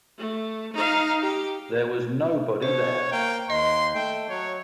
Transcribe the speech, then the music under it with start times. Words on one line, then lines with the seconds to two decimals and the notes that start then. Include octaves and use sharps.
There was nobody there.
0.18 A3
0.73 D#4 F5
1.22 G4
2.62 B2 C5 C#5
3.12 A#3 G5
3.50 D#2 D#5 C6
3.95 A3 G5
4.30 F#3 C#5